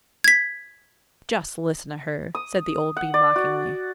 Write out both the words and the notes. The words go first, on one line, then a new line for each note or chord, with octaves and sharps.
"Just listen to her!" said the old Bee mockingly.
G#6 B6
D#6
F#5
D5
F#4